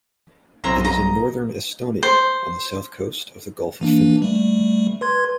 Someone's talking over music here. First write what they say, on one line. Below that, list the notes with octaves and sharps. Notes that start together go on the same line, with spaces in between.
It is in northern Estonia, on the south coast of the Gulf of Finland.
B1 C4 E4 A#5
D#5 A#5
C5
E3 A#3 D4
G3 A3
B4 C6 G#6